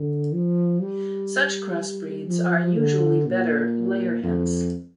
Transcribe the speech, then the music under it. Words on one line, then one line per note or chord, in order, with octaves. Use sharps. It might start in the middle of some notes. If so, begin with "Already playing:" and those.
Such crossbreeds are usually better layer hens.
Already playing: D3
F3
G3
F3
D3
A#2
F2